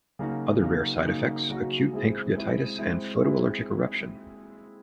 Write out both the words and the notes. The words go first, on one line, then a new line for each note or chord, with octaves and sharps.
Other rare side effects: acute pancreatitis and photoallergic eruption.
C#3 F#3 A#3 D#4 F#4
C#3 F#3 A#3 D#4 F#4
C#3 F#3 A#3 D#4 F#4
C#3 F#3 A#3 D#4 F#4
G#3 C4 E4 G#4
G#3 C4 E4 G#4
G#3 C4 E4 G#4
G#3 C4 E4 G#4